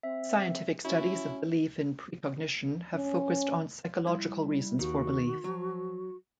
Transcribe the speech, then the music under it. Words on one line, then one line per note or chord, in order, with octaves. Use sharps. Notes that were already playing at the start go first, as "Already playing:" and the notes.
Scientific studies of belief in precognition have focused on psychological reasons for belief.
C4 E5
C#4 E4 F#4
C#4
G3 E4
D#2 D#3 F#4
F3 F#3